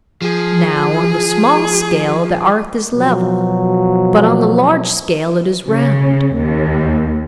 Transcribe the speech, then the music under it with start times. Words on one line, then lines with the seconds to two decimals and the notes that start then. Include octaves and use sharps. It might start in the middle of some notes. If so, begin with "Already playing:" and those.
Now, on the small scale, the 'arth is level; but on the large scale it is round.
0.22 F3 G#4
2.93 B2 F3 F#3
5.65 C#3
6.36 D#2